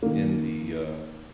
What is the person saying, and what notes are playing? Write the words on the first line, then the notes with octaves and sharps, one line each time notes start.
in the, uh,
D#3 A#3